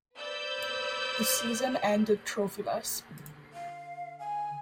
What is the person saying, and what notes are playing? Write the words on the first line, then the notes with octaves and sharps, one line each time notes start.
The season ended trophyless.
B4 C5 D5 B5 E6 G6
D3
F5
G#5